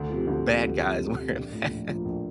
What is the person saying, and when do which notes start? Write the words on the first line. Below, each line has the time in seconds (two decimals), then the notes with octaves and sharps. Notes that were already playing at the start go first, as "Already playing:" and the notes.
bad guys wearing masks.
Already playing: D2
0.10 C3 F3
0.27 D2
0.46 C3 F3
0.63 D2
0.81 C3 F3
0.99 D2
1.16 C3 F3
1.34 A#1
1.52 A2 F3 A#3
1.70 A#1
1.87 A2 F3 A#3
2.05 A#1